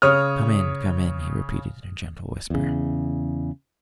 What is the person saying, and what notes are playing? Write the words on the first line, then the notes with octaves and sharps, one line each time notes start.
"Come in, come in!" he repeated in a gentle whisper.
C#3 C#5 D#6 F6
E2 C#3